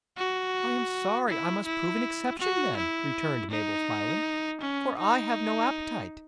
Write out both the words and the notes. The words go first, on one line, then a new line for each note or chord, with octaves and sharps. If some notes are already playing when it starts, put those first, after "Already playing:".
"I am sorry I must prove an exception, then," returned Mabel, smiling; "for I have no appetite."
F#4
E4
E4
F#4
E4
D#4
C#4
D#4